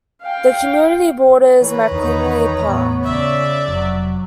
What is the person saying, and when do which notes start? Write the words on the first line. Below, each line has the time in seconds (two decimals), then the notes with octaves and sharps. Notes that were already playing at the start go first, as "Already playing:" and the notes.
The community borders McKinley Park.
0.22 F5 G5
1.61 E3 B4 C#5 A#5
1.91 E2 D#3 D#4
2.64 A2 B3
3.05 C#3 D5 E5
3.68 F1 F#3